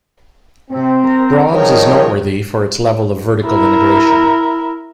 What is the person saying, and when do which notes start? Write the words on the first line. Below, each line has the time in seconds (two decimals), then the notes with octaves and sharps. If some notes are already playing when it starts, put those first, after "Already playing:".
Braum's is noteworthy for its level of vertical integration.
0.71 C3 C4
1.07 A#4
1.50 D#3 F3 G3 G#4 A#4 C#5
3.46 E4 A#4